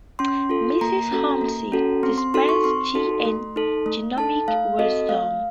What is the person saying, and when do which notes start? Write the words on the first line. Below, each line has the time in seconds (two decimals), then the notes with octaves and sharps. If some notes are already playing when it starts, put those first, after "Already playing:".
Mrs. Holmes dispensed tea and gnomic wisdom.
0.19 C#4 C6
0.49 F4 A4
0.81 A#3 A#5
1.11 C#4 F#4 A4
1.41 A#3
1.72 C#4 F#4 A4
2.03 C4 C6
2.18 C6
2.34 D#4 F#4 A4 C6
2.49 C#6
2.64 C4 C6
2.95 D#4 F#4 A4
3.25 A3
3.56 D#4 A4
3.86 A3
4.17 D#4 A4 A5
4.48 A3 F5
4.78 C4 F#4 A4 D#5
5.09 A3 F5